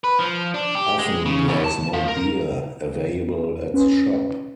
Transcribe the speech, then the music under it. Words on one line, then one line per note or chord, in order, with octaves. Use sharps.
Often there is no beer available at the shop.
B4
F3
D4
G4
G#3
C#3
E2
A5
F3
A#4
C#4 B4